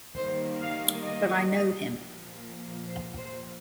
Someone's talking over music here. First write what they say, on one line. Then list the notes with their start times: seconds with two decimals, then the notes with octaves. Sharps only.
But I know him.
0.15 D#3 G3 A#3 C5
0.61 F5
1.05 D#5
1.96 A#2 F3 A#3
2.86 C5
3.17 C5